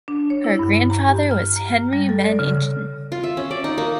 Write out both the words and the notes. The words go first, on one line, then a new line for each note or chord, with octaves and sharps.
Her grandfather was Henry van Ingen.
D4
C#5
E4
G2
A#5
G4
F6
A#5
G3
A4
D5
C#3
F4
E5
C#4
D5
D#4
A#3